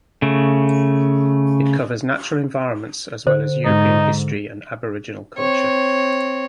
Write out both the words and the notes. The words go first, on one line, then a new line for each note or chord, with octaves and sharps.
It covers natural environments as well as European history and Aboriginal culture.
C#3 A3
D3 C5
G#2 D#4
C4 C#5